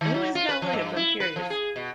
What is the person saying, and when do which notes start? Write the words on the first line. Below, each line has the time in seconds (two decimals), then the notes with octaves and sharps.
who is Cal Williams, I'm curious?
0.01 D#3
0.14 F#3
0.35 F4
0.49 B4
0.62 F3
0.74 G2
0.96 E4
1.20 B4
1.36 F3
1.50 G#4
1.76 B2